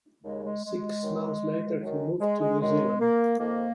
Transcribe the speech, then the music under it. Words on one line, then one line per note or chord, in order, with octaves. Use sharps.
Six months later he moved to New Zealand.
D#2 C#3 G#3
G#3
G#3
F#2 D#3
F#2 D#3
G#3
G#3
F#2 D#3 G#3
A#3
F2 D#3 A#3